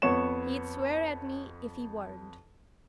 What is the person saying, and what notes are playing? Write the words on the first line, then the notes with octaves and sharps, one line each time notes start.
'He'd swear at me if he weren't.
F2 B3 C#5 C#6 E7